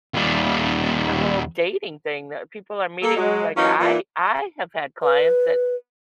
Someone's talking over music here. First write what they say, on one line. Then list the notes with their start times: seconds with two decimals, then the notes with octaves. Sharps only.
the whole dating thing that people are meeting, like, I I have had clients that
0.14 D#2 G3
3.02 A#3 A4
3.16 F#3 G#3
3.57 E3 F#3 A#3 C#4 D#4 F4
3.80 A#2 E3
5.02 B4